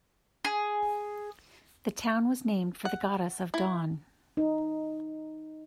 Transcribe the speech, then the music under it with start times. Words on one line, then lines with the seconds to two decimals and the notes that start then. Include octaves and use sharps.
The town was named for the goddess of dawn.
0.45 G#4
2.85 F#5
3.54 E4
4.37 D#4